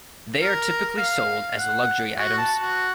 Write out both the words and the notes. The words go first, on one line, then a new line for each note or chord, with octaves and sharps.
They are typically sold as luxury items.
A#4
F5
F#5
F#4
A5
F#4